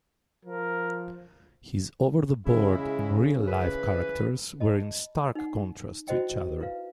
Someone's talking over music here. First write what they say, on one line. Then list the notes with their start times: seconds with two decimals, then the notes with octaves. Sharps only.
His over-the-board and real-life characters were in stark contrast to each other.
0.45 F3 A#4
2.46 C#3 G#3 E4
3.47 E3 B4
4.60 D#5 A5 B5
5.35 D#4 F#5
6.08 E4 F#4 C5 D#5 G5
6.60 E4 B4 F5